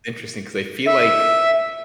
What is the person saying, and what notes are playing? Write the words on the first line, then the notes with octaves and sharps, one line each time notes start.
interesting 'cause I feel like
E5